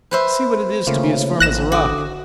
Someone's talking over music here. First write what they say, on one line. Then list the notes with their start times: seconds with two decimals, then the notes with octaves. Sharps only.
You see what it is to be as firm as a rock!
0.11 B4 C5 E5
0.87 C#3 A3 A#3 F4
1.40 A1 F#6 A#6 E7
1.72 D3 F#4 D6 D#6